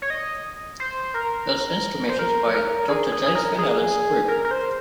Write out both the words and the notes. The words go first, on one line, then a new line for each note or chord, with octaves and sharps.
It was instrumented by Doctor James van Allen's group.
C#5
D#5
C5
A#4
C5
A#4
A#4
G#4
G#4
G#4
A#4
G#4
A#4
A#4
C5